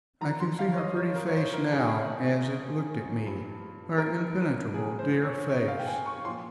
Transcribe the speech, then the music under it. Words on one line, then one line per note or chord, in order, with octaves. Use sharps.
I can see her pretty face now as it looked at me--her impenetrable dear face.
F2 D#3 A#5
C6
F5
C#5
D#5
C#5
A#4
C#5
C5
A#4
G#4
G2 F3
A#4
G#4
C5
C#5
C#5
F5
G5
G#5
C#6
A#2 F3 C6